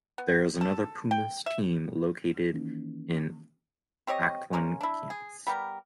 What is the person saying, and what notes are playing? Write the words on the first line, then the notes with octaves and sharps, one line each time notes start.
There is another Pumas team located in Acatlan Campus.
B3
A4
G5
E5
D#3 E3 A#3 C#4
C4 G4 C#5 D#5
G#3 A#3 C#4
D4 E4
G#4
G3 B3 G4 A#4